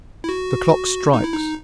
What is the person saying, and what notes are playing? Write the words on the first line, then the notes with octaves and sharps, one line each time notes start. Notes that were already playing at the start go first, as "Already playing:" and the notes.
The clock strikes!
E4
F#4
D#4
E4
D#4